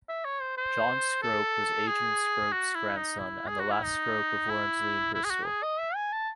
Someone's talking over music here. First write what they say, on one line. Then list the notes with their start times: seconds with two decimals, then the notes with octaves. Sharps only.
John Scrope was Adrian Scrope's grandson and the last Scrope of Wormsley and Bristol.
0.09 E5
0.25 C#5
0.41 C5
0.58 C5
1.23 A4
1.88 G#4
2.53 F#4
2.75 E4
2.97 D#4
3.19 E4
3.47 G#4
3.60 F#4
3.71 E4
3.84 D#4
4.49 E4
5.14 E4
5.25 G#4
5.31 F#4
5.46 G#4
5.63 D#5
5.79 E5
5.95 G#5
6.13 A5